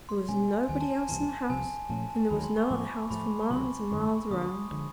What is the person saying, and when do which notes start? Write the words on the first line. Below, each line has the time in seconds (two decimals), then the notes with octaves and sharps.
There was nobody else in the house, and there was no other house for miles and miles around.
0.09 C6
0.29 B2 G#3 C#4 G#5
0.69 D#2 D#3 G3 C4 G#5
0.80 A5
0.91 G#5
1.09 C2 C3 E3 A5
1.50 C2 C3 F3 G#5
1.89 A#2 F3 A3 C#4 A5
2.10 A5
2.30 D#2 D#3 F#3 B5
2.43 C6
2.57 C#6
2.70 A2 F3 A3 D6
2.90 B5
3.10 A2 F3 A3 B5
3.30 B5
3.41 C#6
3.50 C#2 C3 D#3 F#3 C6
3.91 G2 D#3 G#3 C#4 C#6
4.31 D2 D3 F3 A#3 D#6
4.72 D3 F3 G#3